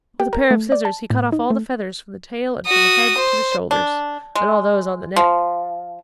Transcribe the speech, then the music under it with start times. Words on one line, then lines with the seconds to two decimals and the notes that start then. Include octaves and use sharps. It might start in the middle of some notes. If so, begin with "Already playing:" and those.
With a pair of scissors he cut off all the feathers from the tail and from the head to the shoulders, and all those on the neck.
0.20 G4
0.33 A#4
0.51 A3
0.72 D5
0.85 A5
1.10 A2
1.32 D#4
1.50 A3
2.66 F#4 D#6
3.17 C5
3.71 D4
4.35 G#3
5.16 F3